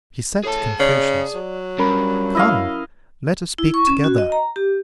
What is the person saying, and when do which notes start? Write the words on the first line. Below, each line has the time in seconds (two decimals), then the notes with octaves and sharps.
He said to Confucius, Come, let us speak together.
0.45 A2 G#4 A5
0.80 C#3 D5
1.35 F#3
1.79 G2 C#4 A#4 B5
2.35 E4 D#5 F5
3.58 E4
3.74 C#6
3.87 C#4
4.04 F#4
4.18 D#5
4.32 A#5
4.56 G4